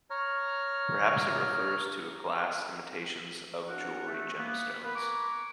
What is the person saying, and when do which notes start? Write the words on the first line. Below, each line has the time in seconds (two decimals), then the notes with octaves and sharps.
Perhaps it refers to glass imitations of jewellery gemstones.
0.10 C#5 A#5 F6
3.68 F#2 D4 F#4 A#4 F#5
4.07 A3
4.38 A#3 B3
4.83 A#3 B3 A#4 B4
4.95 G#5 A#5 C#6 D6